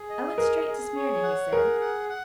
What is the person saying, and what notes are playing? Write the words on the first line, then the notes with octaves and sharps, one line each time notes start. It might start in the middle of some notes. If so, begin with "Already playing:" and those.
'I went straight to Smyrna,' he said.
Already playing: G#4
D#5
G#4 A#4
G#4
C#5
F#5
G#4 A#4
F#5
F#5